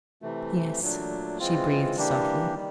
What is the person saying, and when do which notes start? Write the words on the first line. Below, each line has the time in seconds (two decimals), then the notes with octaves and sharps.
"Yes," she breathed softly.
0.22 C3 E3 A3
0.81 A#2 F#3 A3 D4
1.39 E3 G#3 C4 F4
1.96 E3 G3 A#3 D4 G4
2.55 D#3 G3